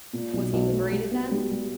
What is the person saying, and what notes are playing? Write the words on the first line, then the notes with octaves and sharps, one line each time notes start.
"Was he liberated, then?"
A#2
B1
B1
A3
G3
B3
G3
G3